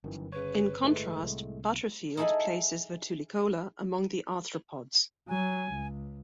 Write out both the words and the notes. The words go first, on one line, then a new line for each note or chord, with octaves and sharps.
In contrast, Butterfield places "Vetulicola" among the arthropods.
G1 F#2 D#3 E3
C#3 B4 C#5
A2 G#3 A3
C2
D#4 E4 G#4 A4 G#5 B5
F#3 G#5
C#2